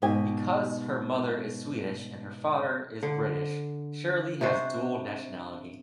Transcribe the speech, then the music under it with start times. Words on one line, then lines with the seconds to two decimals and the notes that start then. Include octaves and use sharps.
Because her mother is Swedish and her father is British, Shirley has dual nationality.
0.02 G#2 B2 G4 D#5 G5 G#5
3.03 D3
4.41 C3 D4 F#4 C5